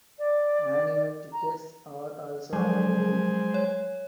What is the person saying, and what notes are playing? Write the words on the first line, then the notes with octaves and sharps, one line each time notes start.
Annual tickets are also available.
D5
A#5
F3 F#3 G#3 C5 G#5
C#5